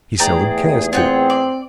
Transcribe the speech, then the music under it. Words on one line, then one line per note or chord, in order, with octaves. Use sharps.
He seldom cares to.
E2 A3 G#4 D5 G5 A#5
D#2
C4 F4 F#5 G5
D5